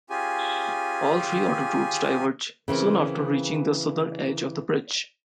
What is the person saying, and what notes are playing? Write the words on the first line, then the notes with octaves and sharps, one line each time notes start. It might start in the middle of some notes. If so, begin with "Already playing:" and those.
All three autoroutes diverge soon after reaching the southern edge of the bridge.
C#4 F4 G4 G#4 G#5
C#3 E3 C4 A#4